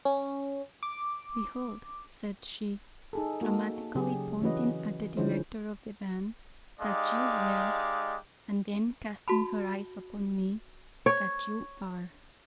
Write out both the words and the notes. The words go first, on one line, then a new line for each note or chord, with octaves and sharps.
Behold," said she, dramatically pointing at the director of the band, "that you were," and then casting her eyes upon me, "that you are.
C#4
D6
D#4 G#4 A4
A#3 D#4 F#4 A4
C#3 F#3 G4 G#4
E3 C#4 F#4 B4 D#5
D3 F3 G#3 C#4 E4 C5
G#3 D#4 G4 D5 F5
F#4 A5 B5
C#5